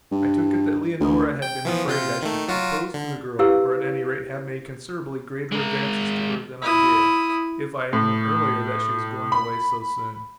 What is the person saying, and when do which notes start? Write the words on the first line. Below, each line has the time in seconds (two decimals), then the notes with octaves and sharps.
I took it that Leonora had been afraid I should propose to the girl or, at any rate, have made considerably greater advances to her than I did, if I had known earlier that she was going away so soon.
0.12 G2
1.00 D2
1.42 G5
1.65 E3 F3 B3
1.88 C3 F4 G6
2.22 D#3 A3
2.48 F#3 F4 F#4
2.94 D3
3.39 E4 G4 B4 F5 E6
5.52 G#3 A#4
6.62 E4 D#6
7.93 A2
9.32 B5